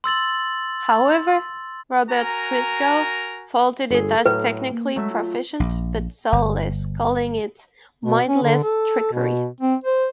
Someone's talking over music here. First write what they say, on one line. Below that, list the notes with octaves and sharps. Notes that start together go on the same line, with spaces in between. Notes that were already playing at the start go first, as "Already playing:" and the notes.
However, Robert Christgau faulted it as technically proficient but soulless, calling it "mindless trickery".
C6 E6 A6 F#7
F#4 A#4 G#5 A#5
G1 G#4 A4
A2 F#3 B4
A#3
F#3 G#3 A3 E5
F4
A#1
G1
B2
C#4
D3
A4
B2
C4
C5